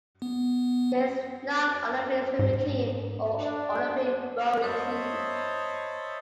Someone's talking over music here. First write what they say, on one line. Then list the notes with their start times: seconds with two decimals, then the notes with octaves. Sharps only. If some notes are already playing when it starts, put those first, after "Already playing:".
There is not an Olympic swimming team or Olympic rowing team.
0.22 B3
2.39 G#2
3.39 D4
4.62 C5 C#5 D#5 E5 A5 B5